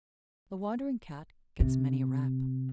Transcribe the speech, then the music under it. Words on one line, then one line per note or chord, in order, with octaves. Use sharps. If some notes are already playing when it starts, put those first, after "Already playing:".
"The wandering Cat gets many a rap."
C3